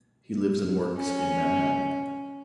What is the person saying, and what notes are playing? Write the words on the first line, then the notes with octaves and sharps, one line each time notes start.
He lives and works in Manhattan.
C#4